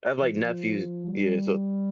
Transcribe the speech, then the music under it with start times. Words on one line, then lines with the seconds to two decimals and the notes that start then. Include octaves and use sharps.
I have, like, nephews. Yeah, so
0.22 F3
1.08 G3